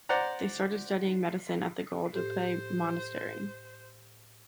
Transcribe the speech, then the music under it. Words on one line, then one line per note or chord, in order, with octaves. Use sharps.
They started studying Medicine at the Guadalupe monastery.
C5 D5 F#5 A#5
A2 G4 A4 C5